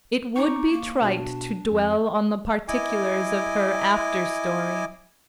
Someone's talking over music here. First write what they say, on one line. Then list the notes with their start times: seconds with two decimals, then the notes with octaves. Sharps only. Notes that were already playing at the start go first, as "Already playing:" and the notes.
It would be trite to dwell on the particulars of her after story.
0.36 D#4 C#6 D6
0.72 A#3
1.02 B2 D4 F#4
1.72 F2
2.68 E4 D#5 G#5 D6